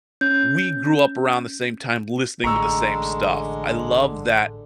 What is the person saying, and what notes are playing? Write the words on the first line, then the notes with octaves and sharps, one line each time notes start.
we grew up around the same time listening to the same stuff." I love that
C#4 G6
A1 D3 G#3 A#5 C#6 E6